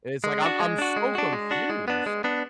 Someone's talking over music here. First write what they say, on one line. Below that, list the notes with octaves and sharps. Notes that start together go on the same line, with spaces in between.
It's like I'm I'm so confused.
G#3
D4 F#4
G#3
D4 F#4
G#3
D4 F#4
G#3
D4 F#4
G#3
B3 D4
G#3
B3 D4